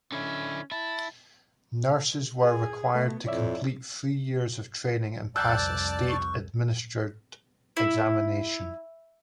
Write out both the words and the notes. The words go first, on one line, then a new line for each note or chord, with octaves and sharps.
Nurses were required to complete three years of training and pass a state-administered examination.
D3 C#4 E4
E4 A5
G#4 G#5
A3 B3
F2 E4 C#5 D5 E5
C2 F2 D5 A5 E6 F#6 G6
C#6
E4